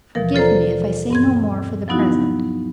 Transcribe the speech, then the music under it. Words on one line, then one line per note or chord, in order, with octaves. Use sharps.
Forgive me, if I say no more for the present.
D#2 B2 E3 F3 A#4
F4 A4 C5 D5 A#5
G2 C4 G#6
F3 F#3 B3 D#4 E4 F#4